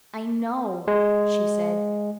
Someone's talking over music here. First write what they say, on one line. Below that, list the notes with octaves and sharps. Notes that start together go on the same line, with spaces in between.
"I know," she said.
G#3